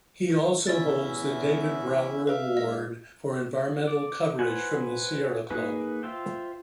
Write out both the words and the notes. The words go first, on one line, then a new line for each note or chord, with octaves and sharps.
He also holds the David Brower award for Environmental Coverage from the Sierra Club.
E2 C#4 E4 D5 E5 A6
B4 E5 F5
G#2 D#5
D5
B4 C5 F#5 G#5
A#3 D#4 G#4 B4
F4 C5 E5 G5